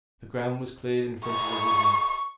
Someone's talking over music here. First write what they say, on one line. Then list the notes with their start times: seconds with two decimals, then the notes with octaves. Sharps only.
The ground was cleared in front of the woodmen.
1.26 C#6